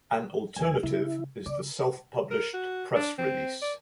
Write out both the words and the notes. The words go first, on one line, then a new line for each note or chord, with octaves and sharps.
An alternative is the "self-published press release".
E2 G#5
C#3 E4
C#3 D5
A#4
F#4
D4
C4
D5